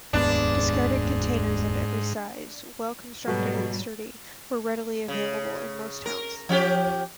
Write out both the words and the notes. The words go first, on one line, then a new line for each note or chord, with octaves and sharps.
Discarded containers of every size, well-constructed and sturdy, were readily available in most towns.
F1 D#2 G#2 B3 D4
G#2 B2 F#3 G3 F#4 G4 A4
C#3
A#4
F3 C#4 G4